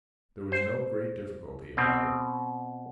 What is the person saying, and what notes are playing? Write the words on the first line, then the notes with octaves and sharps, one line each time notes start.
There was no great difficulty about it.
C5
B2 C4